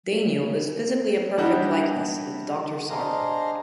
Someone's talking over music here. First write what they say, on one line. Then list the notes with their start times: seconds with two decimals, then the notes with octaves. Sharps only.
Daneel is physically a perfect likeness of Doctor Sarton.
1.38 E3 G3 D4 D#4 F#4 G4
2.90 D4 G#4 C5 D#5 F5 A#5